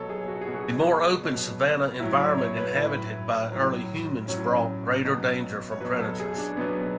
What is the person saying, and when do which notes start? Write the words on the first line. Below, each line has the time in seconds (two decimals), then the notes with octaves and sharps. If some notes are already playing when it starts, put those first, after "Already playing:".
The more open savannah environment inhabited by early humans brought greater danger from predators.
Already playing: B2 F#3 A4 C#5
0.09 G#4
0.28 F#4
0.41 G#4
0.47 B2 F#3 F#4
1.23 B2 F#3
1.99 A2 F#3 E4
2.19 C#5
2.38 C#5
2.57 B4
2.76 A2 F#3 E4
3.52 A2 F#3
4.28 A2 F#3 C#4
5.05 B2 F#3
5.72 C#5
5.80 B2 F#3 B4
6.01 A4
6.20 G#4
6.38 D4
6.57 B2 F#3 B3